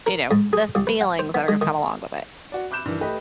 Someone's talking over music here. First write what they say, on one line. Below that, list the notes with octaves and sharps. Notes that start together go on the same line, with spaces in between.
you know, the feelings that are gonna come along with it.
A#4
G#2
G#4
C2
B4
F#5
C5
B3
G#3
D#3
F#4 D5
B5 D6 F#6 G6 E7
G2 D#3 E3
A3 G4 B4 D#5